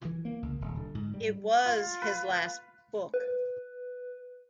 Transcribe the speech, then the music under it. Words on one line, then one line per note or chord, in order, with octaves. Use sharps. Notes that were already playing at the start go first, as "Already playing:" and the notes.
It was his last book.
E3
A#3
C#2
D#1
D3
G#2
G3
F4
B4
B4